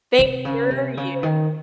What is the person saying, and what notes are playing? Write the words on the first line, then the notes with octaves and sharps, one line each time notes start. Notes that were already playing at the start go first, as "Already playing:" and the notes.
They hear you.
C3
C#3
C3
C#3
D#3